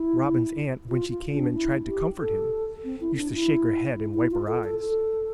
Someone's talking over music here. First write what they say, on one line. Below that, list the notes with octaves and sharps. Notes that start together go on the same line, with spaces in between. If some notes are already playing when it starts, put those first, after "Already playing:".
Robin's aunt when she came and tried to comfort him used to shake her head and wipe her eyes.
Already playing: E4
F4
F4
D4
E4
G4
A4
C4
E4
D4
E4
E4
F4
A4
A4
A4